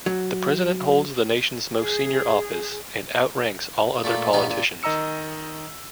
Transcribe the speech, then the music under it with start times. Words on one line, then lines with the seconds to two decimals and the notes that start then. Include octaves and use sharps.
The president holds the nation's most senior office, and outranks all other politicians.
0.06 F#3
1.78 G#4
4.04 A#2 A3 A#3
4.33 A#1 G2 B3 D#4 F5
4.50 A#2
4.83 D#3 D#5 A#5 E6 C#7